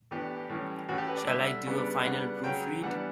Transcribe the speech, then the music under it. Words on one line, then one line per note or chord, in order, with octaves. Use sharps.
Shall I do a final proof read?
A2 E3 B3 D4 G4
A2 E3 G3 C#4
A2 E3 A3 C#4 F#4
G4
B4
D5
D3 G3 D4 E5
C#3 G3 B3 D4
C#3 G3 B3 D4 F#5
C#3 F#3 C#4 G5
E3 G3 B3 D4 F#5